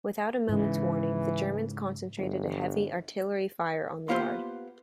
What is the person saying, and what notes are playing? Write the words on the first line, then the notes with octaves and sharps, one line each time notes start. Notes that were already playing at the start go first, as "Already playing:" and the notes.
Without a moment's warning, the Germans concentrated a heavy artillery-fire on the yard.
G#2 C#3 E3
G1
A#3 B3 F4 G4 B4 C5